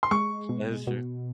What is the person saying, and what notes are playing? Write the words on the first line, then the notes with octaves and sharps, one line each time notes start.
That is true.
C6
G#3 C#6
B2
B2